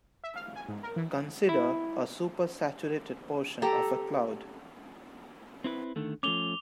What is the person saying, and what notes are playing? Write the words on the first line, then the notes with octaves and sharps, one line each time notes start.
Consider a supersaturated portion of a cloud.
E5
F5
G#5
G#2
A#4
E3
E4
G4 A4 A#5
C4 E4 B4
D3 D#3 A3
F3 A3 C#4 D6 F7 G7